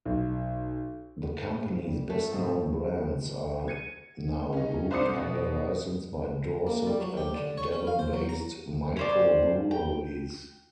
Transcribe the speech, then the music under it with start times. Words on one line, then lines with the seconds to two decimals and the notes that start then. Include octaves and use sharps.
The company's best-known brands are now brewed under licence by Dorset and Devon-based micro-breweries.
0.05 B1
1.86 G3
2.10 A3
2.31 F2 G#2 C3
3.68 G#6 C#7 D#7
4.53 C#4 D#4
4.91 C2 C5 D5 D#6 C#7
5.13 B2
6.67 A#3
6.87 G3
7.00 F#3
7.17 G4
7.34 D3
7.58 C#5
7.72 C#4
7.87 F5
7.99 C5
8.13 F#3
8.29 A#5
8.97 C#4 C5 D5
9.71 G5